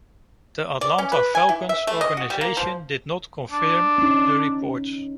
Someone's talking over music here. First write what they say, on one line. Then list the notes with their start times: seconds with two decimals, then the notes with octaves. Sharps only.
The Atlanta Falcons organization did not confirm the reports.
0.81 D5
0.98 C#4
1.12 B4
1.35 G#5
1.49 E4
1.69 E5
1.87 A3
2.01 D#5
2.17 F#4
2.30 G3
2.41 A#3
2.57 F3
3.51 D4
3.98 C#4 D#4